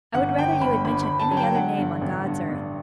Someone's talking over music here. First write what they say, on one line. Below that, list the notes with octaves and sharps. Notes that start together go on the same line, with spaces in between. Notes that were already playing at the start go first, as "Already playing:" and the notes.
'I would rather you had mentioned any other name on God's earth.
G1 F#5
G1 G5
G1 B5
G1 B5
B5
G1
A5
F#3
G5
D3 F#5
G2
A1
G2
G2